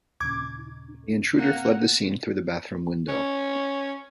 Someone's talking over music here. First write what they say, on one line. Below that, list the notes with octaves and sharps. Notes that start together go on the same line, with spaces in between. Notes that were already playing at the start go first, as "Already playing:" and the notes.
The intruder fled the scene through the bathroom window.
D#2 A#2 C#3 D6 G#6
A#3 C4 F#5
C#4